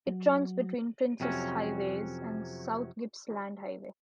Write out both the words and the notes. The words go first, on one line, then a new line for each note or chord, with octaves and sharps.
It runs between Princes Highway and South Gippsland Highway.
F#3
F2 C3 F#3 C#4